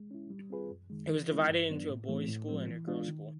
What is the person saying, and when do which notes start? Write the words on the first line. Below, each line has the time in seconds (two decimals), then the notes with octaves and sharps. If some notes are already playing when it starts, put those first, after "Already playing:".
It was divided into a boys' school and a girls' school.
Already playing: G#3
0.11 C#4 E4
0.30 G3
0.50 C4 F4 G#4 B4
0.71 F#2
0.90 D#3 G#3
1.09 E3
1.29 G#3 C4 E4
1.49 G2
1.69 D#3 F#3 B3 D4
1.89 A2
2.08 E3 A3 C4
2.28 A2
2.48 F3 G#3 C4
2.68 E3
2.88 G#3 B3 D4 F4
3.08 D#3